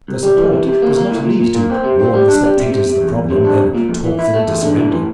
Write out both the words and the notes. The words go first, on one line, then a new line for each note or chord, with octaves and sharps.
The support does not need to warm the spectators to the problem, then talk them into surrender.
C2
G3
E3
C3
C3
A#3
A#3
A2
A#2
A#2
A#3
C4
C3
C4
G3
D4
G3
C3
C3
C3
E2
E2
C3
D4
C2
A#2
F2
E3
E4
A3
E2
D3
A2
E3